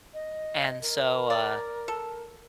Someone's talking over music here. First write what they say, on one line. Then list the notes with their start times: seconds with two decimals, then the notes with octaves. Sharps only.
And so, uh,
0.14 D#5
0.81 A#4
1.30 D5
1.88 A4